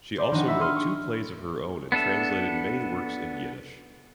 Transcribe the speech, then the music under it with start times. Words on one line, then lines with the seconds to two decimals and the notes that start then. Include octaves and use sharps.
She also wrote two plays of her own and translated many works in Yiddish.
0.18 C5 D5 B5
0.31 D#3 F3 D4 D#5 F#5
0.48 E5 B5 E6 C#7
0.61 C6 D#6 F6
0.76 C#6
1.92 B3 D4 A4 E5